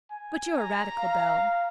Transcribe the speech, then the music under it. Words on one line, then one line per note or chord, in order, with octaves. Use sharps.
But you're a radical, Bell.
G#5
A#5
F5